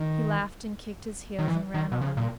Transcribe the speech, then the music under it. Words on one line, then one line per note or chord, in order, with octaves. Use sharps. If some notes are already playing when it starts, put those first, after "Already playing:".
He laughed and kicked his heels and ran on.
Already playing: D#3
D#3
E3
D#3
B2
C#3
A#2